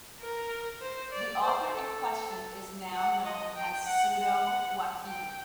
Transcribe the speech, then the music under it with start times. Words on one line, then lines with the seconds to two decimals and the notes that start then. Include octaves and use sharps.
The author in question is now known as pseudo-Waqidi.
0.20 A#4
0.81 C5
1.12 D5
1.42 C5
1.73 A4
2.94 F#5
3.25 D#5
3.56 G5
3.86 F#5
4.17 F#5
5.07 G5